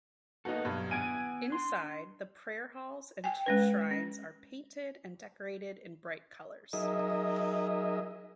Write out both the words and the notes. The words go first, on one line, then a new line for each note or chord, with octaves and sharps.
Inside, the prayer halls and two shrines are painted and decorated in bright colours.
A#3 B3 D#4 F#4 A4
G2 B2 F#3
B3 F#5 G#5 G#6 D7 D#7
D4 C6
G5 G#5
G#3 C#4 B4
C#4
F#3 D#4 G#4 A#4 D#5 E5